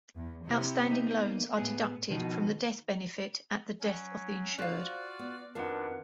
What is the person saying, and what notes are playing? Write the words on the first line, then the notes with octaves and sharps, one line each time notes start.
Outstanding loans are deducted from the death benefit at the death of the insured.
E2
C3 E4 G4
A#3 B3 D#4
A2 B3 G#4
B2 D#3 F3 D#4
F#3 C#4
F4 F#4 C5 D5 F5 F#6
B3
F2 D#3 D4 F4 F#4 A#4 B4 F#5